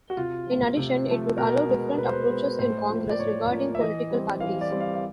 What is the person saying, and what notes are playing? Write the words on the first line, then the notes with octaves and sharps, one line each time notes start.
In addition, it would allow different approaches in congress, regarding political parties.
F#4
C3 F4
F3 A3
C3
F3 A3
B2 A#4
G#3 B3
B2 B4
C5
B4
G#3 B3
A2 C5
C5
F3 A#3
C5
D5
A2 C#5
F3 A#3
E5
E3 D#5
G3 C4
E3 F5
D5
G3 C4
F5
F5